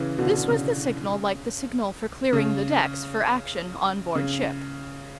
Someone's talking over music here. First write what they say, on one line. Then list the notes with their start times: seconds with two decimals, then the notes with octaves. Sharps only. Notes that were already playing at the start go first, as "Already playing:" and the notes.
This was the signal like the signal for clearing the decks for action on board ship.
Already playing: C#3 E3
0.18 B2 D3
0.49 C#3
2.33 C#3
4.15 C#3